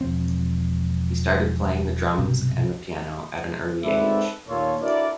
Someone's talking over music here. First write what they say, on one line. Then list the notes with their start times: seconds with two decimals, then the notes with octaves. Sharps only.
He started playing the drums and the piano at an early age.
0.01 E1 F3 C4
2.18 B1 G2 C3
3.83 G#2 C4 A4 B4 D5 E5
4.48 D#2 A#2 A#3 F4 A4 C#5
4.81 D4 E4 F#4 A4 A#4 D5